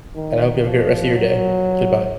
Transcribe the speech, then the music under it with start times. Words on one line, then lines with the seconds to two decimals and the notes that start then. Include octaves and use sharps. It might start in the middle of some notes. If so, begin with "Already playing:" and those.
and I hope you have a great rest of your day, goodbye.
0.15 D#3
0.64 F3
1.14 F#3